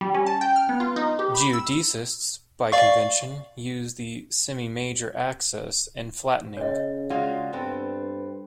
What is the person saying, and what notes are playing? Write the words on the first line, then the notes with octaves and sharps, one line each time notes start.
Geodesists, by convention, use the semimajor axis and flattening.
G3
C#4
A5
G5
F6
B3
F4
D#4
G4
B5
E6
D5 F5 C#6
C#3 C#5 D#5
G#3 F4 F#4 D5
G2 B3 C4 A4